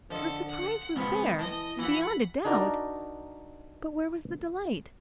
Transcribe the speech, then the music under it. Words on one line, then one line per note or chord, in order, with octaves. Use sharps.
The surprise was there, beyond doubt--but where was the delight?
D3 F3 A4 D#5
F#5
C#2 B2 F3 B3 C4
E3 D#5 A5
E3 F3 F#5 B5
D4 D#4 F#4 A#4 D5